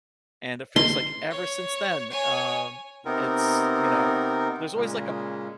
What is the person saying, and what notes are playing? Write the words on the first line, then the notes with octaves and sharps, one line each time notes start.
And it feels like ever since then, um, it's, you know there's always like a
C6
C#5
C#5 G#5
C3 B3 C4 D#4 A#4
A#2 C#3 G#3